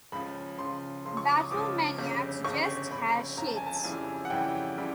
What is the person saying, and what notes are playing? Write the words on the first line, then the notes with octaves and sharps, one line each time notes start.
"Battlemaniacs" just has shades.
C#2 C#3 F3 B5
C#2 C#3 F3 C6
C#2 C#3 F3 C6
C#6
D6
D#6
C#2 C#3 F3 D6
G1 F2 C#3
G1 F2 C#3 C#6
G1 F2 C#3 B5
B5
G1 F2 C#3 A#5
A5
G#5
A5
F2 C#3 E3 G3 G#5
F#5
F2 C#3 E3 G3 G5
C#3 E3 G3